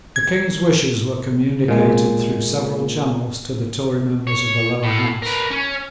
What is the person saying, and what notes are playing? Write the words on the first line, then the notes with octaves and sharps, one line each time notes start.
The King's wishes were communicated through several channels to the Tory members of the Lower House.
G#6
A#2 G#3
C#5
A2
A#4 B4
C#4